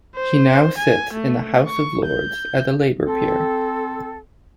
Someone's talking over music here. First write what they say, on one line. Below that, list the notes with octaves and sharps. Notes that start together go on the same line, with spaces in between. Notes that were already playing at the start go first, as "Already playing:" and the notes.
He now sits in the House of Lords as a Labour peer.
C5
G#5
A3
C#6
G6
C4 A4